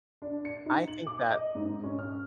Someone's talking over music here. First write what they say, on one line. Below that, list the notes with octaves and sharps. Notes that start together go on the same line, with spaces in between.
I think that
D4
C#7
D#4
F#7
D6
D#5
G#2
C#4
F6